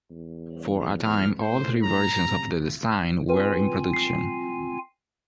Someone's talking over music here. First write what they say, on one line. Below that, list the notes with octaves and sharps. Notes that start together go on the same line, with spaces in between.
For a time, all three versions of the design were in production.
E2
E2 F6
A2 C5
A#5
C3
C4 F4 B4 G#5
C7